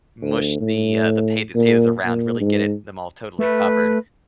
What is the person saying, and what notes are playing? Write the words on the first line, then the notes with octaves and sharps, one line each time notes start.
mush the, uh, the pa the potatoes around, really get it them all totally covered.
D2
A2
A#2
A#2
G#2
A3 B4